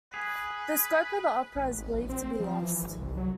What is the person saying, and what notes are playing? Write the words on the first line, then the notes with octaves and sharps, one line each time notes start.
The score of the opera is believed to be lost.
G#4 B4
A1
G#1
A#1
C4
F3
E3
G#1
C2
F#3